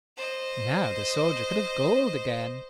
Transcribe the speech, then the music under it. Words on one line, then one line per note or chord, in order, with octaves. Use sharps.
Now the soldier could have gold again.
C5 D#5